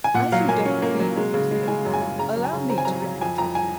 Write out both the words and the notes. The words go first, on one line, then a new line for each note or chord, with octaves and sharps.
As you don't read the newspapers, allow me to repeat it.
G#5
A#2 F#5
F#3 F5
A#3 G#5
C#4
A#3
F#3
G#3
C#3
G#3
G#3 G#5
F#2
G#5
C#3
C#3 A#5
F#3
G#5
C#3
C4 A#5
G#5
F#3 A#5
F#3
F2 G#5
F2 A#5
G#5